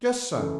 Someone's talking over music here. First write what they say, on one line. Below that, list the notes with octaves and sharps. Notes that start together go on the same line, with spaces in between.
"Just so."
C#3 E3 A3